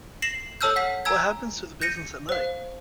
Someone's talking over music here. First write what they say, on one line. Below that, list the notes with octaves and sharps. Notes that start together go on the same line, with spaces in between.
What happens to the business at night?
A#6 C7 E7 F#7
A4 C#5 A5 E6 F6 G6
F#5 B6
G#5 A#5 E6 G#6
G6 A#6 C#7 D#7
C5 F5